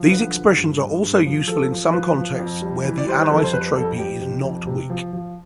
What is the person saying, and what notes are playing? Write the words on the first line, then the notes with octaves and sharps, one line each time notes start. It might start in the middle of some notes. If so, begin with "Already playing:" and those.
These expressions are also useful in some contexts where the anisotropy is not weak.
Already playing: F3
D3 B4
F3
G2
G2
G2
F3
F3 A4
F3
F3 B4
F3
F2
G3
E3
D5
G3 C5
B4
F2 A4
C5
G3 B4
F2 A4
F2 G4
C3
F2
C3
F3
F3